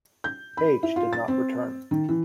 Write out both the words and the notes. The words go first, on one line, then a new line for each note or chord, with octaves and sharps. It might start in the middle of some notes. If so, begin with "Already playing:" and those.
Page did not return.
G6
B5
E4
F4
A6
C4
D#3
E3